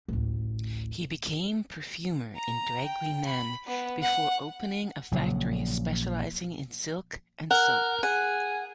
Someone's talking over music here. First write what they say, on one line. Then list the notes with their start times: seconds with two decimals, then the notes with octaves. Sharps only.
He became perfumer in Draguignan before opening a factory specializing in silk and soap.
0.08 A1 D2
2.36 A#5
2.85 G5
3.26 B5
3.67 B3
4.02 F#5
5.12 A#1 C#3 F#3
7.51 A#4 F#5
8.03 G#4 F#5